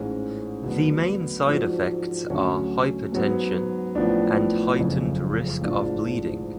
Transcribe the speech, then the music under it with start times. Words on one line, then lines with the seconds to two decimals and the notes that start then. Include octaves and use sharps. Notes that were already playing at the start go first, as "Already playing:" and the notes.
The main side effects are hypertension and heightened risk of bleeding.
Already playing: A1 G#2 G#3 C#4
0.64 D2 D3 F#3 B3 D4
1.47 G#2 F3 G#3 D4 F#4
2.30 D2 D3 F#3 C#4 F#4
3.12 G#2 F#3 B3
3.95 A1 A2 F3 B3 D4
4.79 F#1 F2 C#3
5.61 A1 G#2 G#3 D4 F4